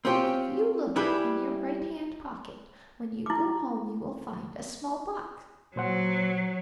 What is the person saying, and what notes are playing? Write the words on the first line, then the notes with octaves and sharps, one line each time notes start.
'If you look in your right-hand pocket when you go home you will find a small box.
C4 C#4 F4 G4
G3 E4 G#4 B4
E4 D6
A#2 F#3 C5 F#5